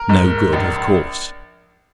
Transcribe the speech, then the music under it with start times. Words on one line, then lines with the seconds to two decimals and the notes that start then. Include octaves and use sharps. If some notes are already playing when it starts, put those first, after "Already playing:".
No good, of course.
Already playing: A#4
0.09 G#2
0.53 A#1